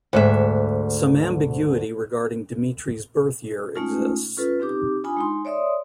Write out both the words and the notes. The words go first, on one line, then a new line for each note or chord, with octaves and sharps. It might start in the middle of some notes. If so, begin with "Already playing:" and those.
Some ambiguity regarding Dimitrie's birth-year exists.
D2 G#2 E5
G#3 A3 C#4 D#4 F4
C#4 F4 A4 B4
C4 D#4 G4 D6
D4 F4 G#5 B5 D#6
G#3 D#4 C6
C#5 D5 E5 C6 D#6